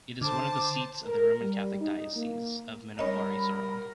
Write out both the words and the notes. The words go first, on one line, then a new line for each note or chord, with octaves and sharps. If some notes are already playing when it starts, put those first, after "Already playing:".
It is one of the seats of the Roman Catholic Diocese of Manokwari-Sorong.
D3 C5 A5 D6
A#4
G3
D#4
A#3
G3 C#4 D#4 A#4 B5